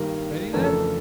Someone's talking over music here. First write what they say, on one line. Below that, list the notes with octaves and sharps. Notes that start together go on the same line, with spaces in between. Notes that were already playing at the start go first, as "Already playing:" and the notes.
"Ready then!"
Already playing: G2 D#3 G3 A#3 A#4
F2 C#3 E3 A3 D4 A#4
A4